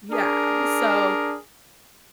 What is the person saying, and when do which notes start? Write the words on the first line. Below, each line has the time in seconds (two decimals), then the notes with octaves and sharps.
Yeah, so,
0.11 D4 G#4 A#4